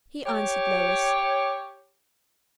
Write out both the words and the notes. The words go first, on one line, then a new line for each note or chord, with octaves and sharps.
He answered Lois.
G4 C#5